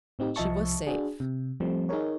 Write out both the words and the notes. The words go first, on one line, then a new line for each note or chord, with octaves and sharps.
She was safe.
A2 C4 D#4 G4
C2 F3 D#5 E5 A5 C#6
D4 F#4 G#4
C3
F3 G3 A3 C4
D#4 G#4 A#4 C#5